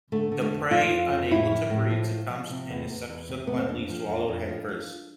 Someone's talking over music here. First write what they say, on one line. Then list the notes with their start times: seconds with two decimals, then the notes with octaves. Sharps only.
The prey, unable to breathe, succumbs and is subsequently swallowed head first.
0.12 D3 A3
0.32 D3
0.42 A3
0.51 F2
0.71 F3 F4
0.91 F2
1.10 F2
1.31 A2 E4
1.51 F3
1.70 A2
1.91 F3
2.10 F3
2.30 F3
2.50 C3
2.70 E2
2.90 E2
3.09 E2
3.29 C3
3.47 E2 B3
3.58 C4
3.68 F2 D4
3.89 F3
4.08 F2
4.28 F2
4.49 F3
4.68 F3